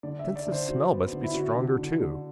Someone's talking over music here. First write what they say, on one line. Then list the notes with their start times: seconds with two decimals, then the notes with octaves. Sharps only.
Sense of smell must be stronger too.
0.03 D3 D5
0.19 E5
0.25 D3
0.36 D5
0.47 D3
0.52 C5
0.69 D3 F#4
0.91 B3
1.12 D3
1.24 E4
1.34 D3 F#4
1.56 D3
1.78 D3
2.00 D3